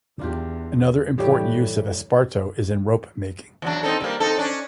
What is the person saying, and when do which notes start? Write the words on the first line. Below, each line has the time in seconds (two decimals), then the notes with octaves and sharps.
Another important use of esparto is in rope-making.
0.19 E2 D4 F4 G4
1.18 A2 E3 G3 G4
3.62 E2 F#3 D4
3.83 C4 D#4 A4
4.00 G3 A#3
4.20 C4 D#4 A4
4.38 C#4 D4 D5